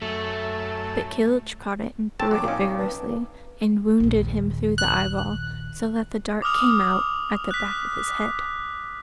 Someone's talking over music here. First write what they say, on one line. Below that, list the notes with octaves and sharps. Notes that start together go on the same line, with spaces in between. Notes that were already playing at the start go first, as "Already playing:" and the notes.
But Kilhuch caught it and threw it vigorously, and wounded him through the eyeball, so that the dart came out at the back of his head.
F#2 A3 A4
C4 A5 C#6
F#3 D6
A#2 C#4 D#4 D5 F5
B4 A5
A#1 D#2
F#6
D6 D#6 F6 F7
F#6 B6